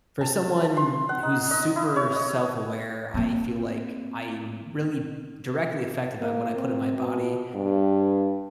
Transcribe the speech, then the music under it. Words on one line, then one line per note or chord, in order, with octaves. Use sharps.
for someone who's super self-aware, I feel like I'm really directly affected by what I put in my body,
A5
C6
F#5
D#4
D#5
E4
C#5
D#5
A#3 C4
A#3
C4
B2
G2